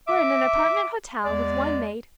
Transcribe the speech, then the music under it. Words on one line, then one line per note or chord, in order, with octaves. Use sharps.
We're in an apartment hotel, with one maid.
E5 D6
E2 G#3 D5